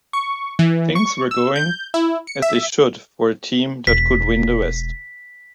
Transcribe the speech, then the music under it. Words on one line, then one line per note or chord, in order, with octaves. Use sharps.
Things were going as they should for a team that could win the west.
C#6
E3
C#6
E6
G6
E4
C#7
E5
E1 B6